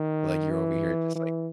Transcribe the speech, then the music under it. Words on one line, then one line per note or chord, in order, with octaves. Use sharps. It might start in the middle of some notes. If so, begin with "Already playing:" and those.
Like, you're over here just, like,
Already playing: D#3
E3
E3